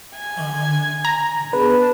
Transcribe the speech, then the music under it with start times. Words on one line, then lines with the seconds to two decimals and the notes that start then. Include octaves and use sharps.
Um. Hmm.
0.15 G#5
1.05 A#5
1.53 B3 D4 G#4 B4